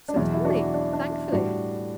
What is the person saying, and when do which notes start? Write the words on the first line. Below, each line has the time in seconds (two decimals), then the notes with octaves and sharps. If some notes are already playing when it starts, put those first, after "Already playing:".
'Certainly; thankfully.
0.08 D4
0.16 E2 B2 F#3 E4
0.34 E4
0.44 D4 F#4
0.74 D4
0.93 D4
1.13 E4
1.32 A2 G3 D4 F#4